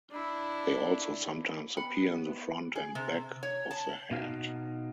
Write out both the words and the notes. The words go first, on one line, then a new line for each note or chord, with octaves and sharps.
They also sometimes appear in the front and back of the head.
D4 E4
B3 G5 B5
G#4
C3
C#5
A5
B2 D#4 F5